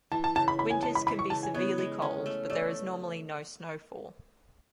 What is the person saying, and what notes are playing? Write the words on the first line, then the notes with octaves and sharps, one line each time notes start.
Winters can be severely cold but there is normally no snowfall.
E3 A5
A5
C#3 A5
B5
B3 B5
G#5
G#3 A5
B5
E3 B5
C#6
C#3 A5
G#5
B3 C#5
G#3
C#4
A3
A3 D5